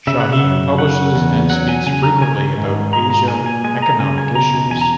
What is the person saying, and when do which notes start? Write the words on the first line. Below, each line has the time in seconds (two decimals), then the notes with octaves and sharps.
Shaheen publishes and speaks frequently about Asia economic issues.
0.07 C#3 E5
0.20 F#5
0.33 E5
0.43 F#2
0.78 C#3 F#5
1.15 E2
1.50 F#3 F#5
1.69 G#5
1.86 C#3 G#5
2.03 A#5
2.22 D#3 G#5
2.57 G#2
2.93 G#3 A#5
3.10 A#5
3.28 A#2 G#5
3.46 G#5
3.64 G#3 G#5
3.82 A#5
4.00 C#3 G#5
4.18 G#5
4.35 B2 A#5
4.70 E2 G#5
4.81 A#5